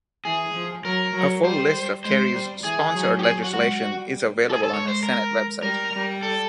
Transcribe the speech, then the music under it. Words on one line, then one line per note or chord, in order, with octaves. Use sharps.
A full list of Kerry's sponsored legislation is available on his Senate web site.
E3 G#4
F3
F#3 A#4
F#3
G3 C5
G#3 C5
G3
E3 G#4
F#3
G4
G#4
F#4
G#3 F#4
G3
A4
G#4
A4
G#3 C#5
C5
A#4
G3 A#4
G3
A4